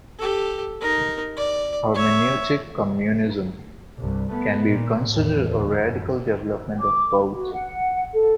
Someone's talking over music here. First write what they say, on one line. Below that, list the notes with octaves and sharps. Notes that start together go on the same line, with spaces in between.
"Hermeneutic Communism" can be considered a radical development of both.
G4 A4
D#4 A#4
D5
C#5 E5
C2 G2
A3 B3
A#2
E2 A2
D2
F#2
D6
F#4
F#5
A4